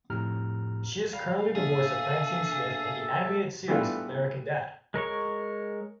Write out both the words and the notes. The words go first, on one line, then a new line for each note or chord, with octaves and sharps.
She is currently the voice of Francine Smith in the animated series American Dad!
G1 F2 A2 G4 A#5 F6
G3 F5
B2 A#3 D4 G#4 A4 E5 A5
E3 G3 A3 B3 D4 F4
G#3 A#4 C#5 C#6